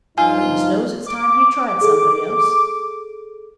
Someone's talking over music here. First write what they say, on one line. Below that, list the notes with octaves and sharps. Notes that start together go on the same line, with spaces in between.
Goodness knows it's time he tried somebody else.
G2 F3 D#4 F4 G#5
D6
G#4 A4